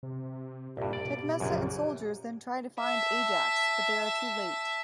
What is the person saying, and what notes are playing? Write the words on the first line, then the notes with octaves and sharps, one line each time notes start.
Tecmessa and soldiers then try to find Ajax, but they are too late.
C3
C2 G2 A#2 G4
D5
B2
A#1 F#2 C#3
E5 A5